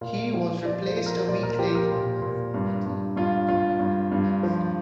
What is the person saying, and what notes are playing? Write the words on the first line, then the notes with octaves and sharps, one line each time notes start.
He was replaced a week later by former team-mate Gary McAllister.
A#2 F5
F3
F3 D5
C5
F3
A#4
A#2 D5
A#4
F3 G4
A#4
A#2
A#2
G2
G2
G2 F4
G2 F4
G2
G2
F3